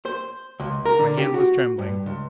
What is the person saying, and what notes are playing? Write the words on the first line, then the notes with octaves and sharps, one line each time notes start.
My hand was trembling.
C5
C#2
A#4
D3
G4
F#4
G2
C#2